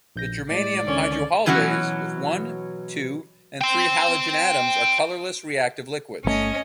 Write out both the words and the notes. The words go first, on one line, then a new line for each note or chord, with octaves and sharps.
The germanium hydrohalides with one, two and three halogen atoms are colorless reactive liquids.
A#1 G6 A#6
A2 G#3 D5
C#2 D3 D#3 C#4
B2 E3 F#3 C#4 F#4
G5 C6
G1 D3 A3 C#4 D#5